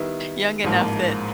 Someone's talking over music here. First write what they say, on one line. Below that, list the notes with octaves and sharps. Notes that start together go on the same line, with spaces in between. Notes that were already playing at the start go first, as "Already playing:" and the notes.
young enough that,
Already playing: D#3 G3 B3 E4
A1 G#2 F3 A#3